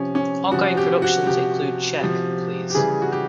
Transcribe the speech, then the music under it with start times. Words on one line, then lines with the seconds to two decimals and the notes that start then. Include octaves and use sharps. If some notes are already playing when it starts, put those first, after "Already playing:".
Ongoing productions include Check, Please!
Already playing: C3 F3 C#4
0.15 C#4
0.51 C3 F3 F#4
0.77 G4
1.02 F#4
1.26 C3 F3 G4
2.01 C3 F3
2.70 G4
2.75 C#3 E3 G3 G#4
3.02 F#4
3.12 G4